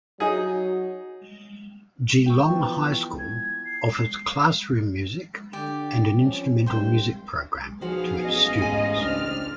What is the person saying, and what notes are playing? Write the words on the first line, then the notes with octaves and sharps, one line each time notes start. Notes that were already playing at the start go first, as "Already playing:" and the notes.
Geelong High School offers Classroom Music and an Instrumental Music program to its students.
F#3 D#4 G#4
G5 C#6
E3 F3 B3
G#6
C7
D3 G4 D5
F3 C4 C#4
C2 G2 C5 G5 C6
B1 F3 B3 F#4 G#4 C5 F5
A1 D#5
G#2 G#5
C#2 C4 D4 F6